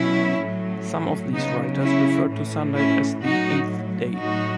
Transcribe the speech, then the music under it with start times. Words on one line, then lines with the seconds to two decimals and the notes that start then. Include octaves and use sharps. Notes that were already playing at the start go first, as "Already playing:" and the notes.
Some of these writers referred to Sunday as the "eighth day".
Already playing: B2 F#3 C#4 E4
0.40 A2 F#3
1.34 C#3 F#3 B3 D#4
1.81 C#4 E4
2.29 A2 E3
2.76 C#4 E4
3.23 A2 F#3 D#4 F#4
4.19 A2 F#3 D#4 F#4